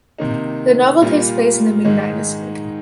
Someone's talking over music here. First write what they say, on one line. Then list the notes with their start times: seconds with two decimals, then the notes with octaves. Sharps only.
The novel takes place in the Ming dynasty.
0.19 C3 D#3 A#3 D#4
1.02 A#2 G3 A#3 F4
1.84 G#2 D#3 G#3 D#4